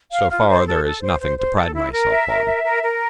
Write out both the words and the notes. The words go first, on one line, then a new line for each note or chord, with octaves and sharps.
So far there is nothing to pride myself on.
F5
F4
C5
A4
A4
C5
C5
C5
A4
E4
A#4
E5
A#4
E5
A#4
A#4